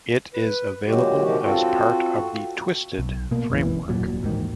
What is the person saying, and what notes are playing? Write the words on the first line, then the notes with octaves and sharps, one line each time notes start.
It is available as part of the Twisted framework.
B4
A#2 D3 F#3 G#3 F#4 G4
C3 D#3 F3 G#3 F#4 G4
C4 F4 F#4 A4
B1
B2 A#3
F#1 C#2 E3
D#1 A#2 F#3
A1 D#2 G#2 D#3